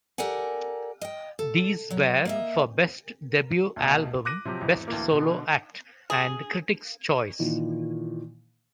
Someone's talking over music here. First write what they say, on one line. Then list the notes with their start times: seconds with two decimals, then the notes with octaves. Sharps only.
These were for "best debut album", "Best solo act" and "critics choice".
0.18 G4 A4 A#4 D5 F#5 G#5
1.02 D#5 G5
1.39 A4
1.90 F#3 C#5
2.25 A#3 D#5 E5
3.76 D2 B2
4.25 D6 F#6 A#6 D#7
4.45 C3 F3 F#3 G4
4.61 G#1 E2
4.88 D2 E3 A#3
5.11 B2 D3
6.10 G#4
7.39 A#2 D#3 E3